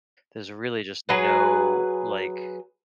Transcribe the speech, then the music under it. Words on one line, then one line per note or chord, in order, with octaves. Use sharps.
there's really just no, like
F#3 G#4 B4